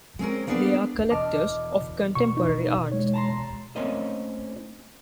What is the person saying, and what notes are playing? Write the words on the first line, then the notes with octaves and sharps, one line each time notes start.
They are collectors of contemporary art.
G#3 C4 C#4 A#4
A#3 B3 D4 G#4 C5 D5
E1 D#5 A5 D6 F6
B2 C#6
D#4
G#3 C#5
A5 A#5 C6
A3 A#3 C4 C#4 C5 D#5